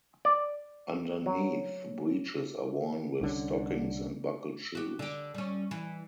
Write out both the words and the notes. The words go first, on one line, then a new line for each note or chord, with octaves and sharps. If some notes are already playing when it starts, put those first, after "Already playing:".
Underneath, breeches are worn with stockings and buckled shoes.
D5
F#3
C2 D3 C#4
F#4 G4
D3 G4
G3 C#4
E3